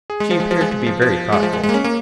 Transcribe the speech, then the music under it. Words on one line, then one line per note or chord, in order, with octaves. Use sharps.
She appeared to be very thoughtful.
G#4
G#3
F3
G#3
F3
G#3
G#3
F3
F3
G#3
F3
G#3
G#3
A#3
C#4
A#3